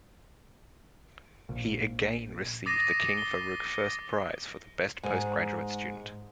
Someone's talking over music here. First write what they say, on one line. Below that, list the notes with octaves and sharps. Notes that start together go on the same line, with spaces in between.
He again received the King Farouk First Prize for the best postgraduate student.
A#1
D6 D#6 A6 A#6 C7 D#7
G7
G#2